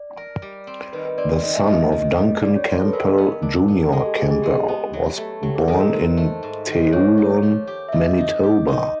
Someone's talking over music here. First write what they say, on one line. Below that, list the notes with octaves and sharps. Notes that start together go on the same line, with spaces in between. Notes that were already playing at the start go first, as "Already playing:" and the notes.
The son of Duncan Campbell Junior Campbell was born in Teulon, Manitoba.
Already playing: D5
A#4
G3
C4
D#3 B4
B4
C4 D5
D5
D#3 D#5
E5
D#3 D#5
D#3
G3
G3 D5
C#5
F4 C#5
A4
B4
G#3 A#4
B3
D4
B3
G#3 A4
G4
B3 G#4
G#4
G#3 G4
B3
F#3
A3
F#3 G4
G#4
D#3 A4
A#4
D#3 C5
A3
G#2
D#3
C5
A#3 C#5
G4
F3
G4
E5
F3 D#5
D#4
G4
D#4